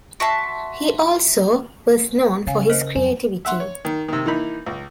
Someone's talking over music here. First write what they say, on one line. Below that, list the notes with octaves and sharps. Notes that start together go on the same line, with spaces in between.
He also was known for his creativity.
F#4 E5 A5 C6
C#3 C#5 F5 G#5
A#4 C5 D#5
F2 F#3 G#5
E5 F#5 C6
C#5
D#3
C3 D#3
E3 A#3 D#4 B5
C#2